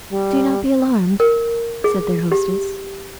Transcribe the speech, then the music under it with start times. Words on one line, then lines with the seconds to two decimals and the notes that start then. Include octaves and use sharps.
"Do not be alarmed," said their hostess.
0.09 G3
1.20 A#4
1.84 G#4
2.32 G4